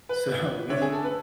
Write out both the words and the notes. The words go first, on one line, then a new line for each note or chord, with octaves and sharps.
So we
B4
D3 A3 D4 C#5
G#4
A4
B4